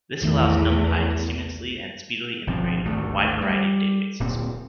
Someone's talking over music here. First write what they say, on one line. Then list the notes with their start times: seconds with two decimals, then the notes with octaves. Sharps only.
This allows NumPy to seamlessly and speedily integrate with a wide variety of databases.
0.22 A#1 E2 D#3 A3
2.47 G1 B2 F3 C4
2.85 G#1 D2 A3
3.41 G3
4.20 D1 A#2 C4